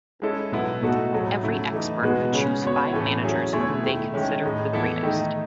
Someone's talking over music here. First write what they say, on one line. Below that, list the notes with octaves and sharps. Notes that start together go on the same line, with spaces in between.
Every expert could choose five managers whom they considered the greatest.
G#3 C#4 E4 A4 D#5
B2 F#3 B3 E4
B2 A3 D#4 F#4 A4
A2 F#3 A3
C#3 F#3 A3 E4
E3 A3 D#4
B2 G#3 D#4 F#4 B4
C#3 G#3 C#4
B3 F#4 C#5
A2 E3 A3 C#4
F#3 C#4 G#4
B2 A3 E4 G#4 C#5
D#3 A3 E4
D#3 G#3 C#4
A2 G#3 D#4
E3 B3 E4 A4
D#3 A3 D#4